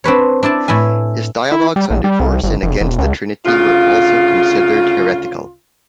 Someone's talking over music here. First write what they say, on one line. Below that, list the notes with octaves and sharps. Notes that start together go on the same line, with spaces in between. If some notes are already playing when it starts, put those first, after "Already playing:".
His dialogues on divorce and against the Trinity were also considered heretical.
C4 D4 B4 C#5
D4 E4 D5 A5
A2 E4 B4 G#5
E4
G3
A#1
G3
C2
G1
F1
E1
C#2
D2 C#3 F4